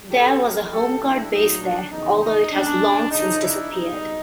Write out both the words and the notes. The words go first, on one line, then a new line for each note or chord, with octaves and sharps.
There was a Home Guard base there, although it has long since disappeared.
B2 F#3 A#3 C#4 G4 A4
G#4 A#4
A#2 F#3 A#3 C#4 G4 A4
D4 E4
A#2 F#3 A3 D#4
D4
E2 C#3 F3 D#4
D#4
B2 G#3 C#4 D4
D2 C#3 F3 D#4
D4 E4
C#2 B2 G3 D#4